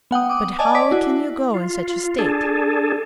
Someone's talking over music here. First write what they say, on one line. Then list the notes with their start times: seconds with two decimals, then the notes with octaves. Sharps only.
But how can you go in such a state?
0.11 B3 F#5 G5 D#6
0.29 D6 D#6
0.59 D5 D#5 G#5 A5
0.75 D5 D6 B6
0.91 E4 F#4
1.54 F4
2.19 D4 G#4 A4